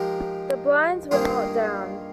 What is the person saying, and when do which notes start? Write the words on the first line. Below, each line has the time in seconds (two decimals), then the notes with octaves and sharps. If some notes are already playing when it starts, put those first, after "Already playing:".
The blinds were not down.
Already playing: F3 G#3 D#4 G4 A#4
1.11 G2 D#3 A#3 F4 G#4